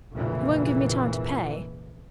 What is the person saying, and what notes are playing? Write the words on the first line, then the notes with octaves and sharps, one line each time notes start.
He won't give me time to pay.
F1 A#1 F2 A#2 C#3 E3